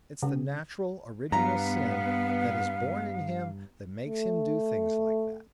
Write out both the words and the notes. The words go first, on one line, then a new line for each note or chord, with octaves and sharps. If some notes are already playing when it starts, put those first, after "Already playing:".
It's the natural, original sin that is born in him that makes him do things like that.
C#3
G2 B3 F5 A#5
A3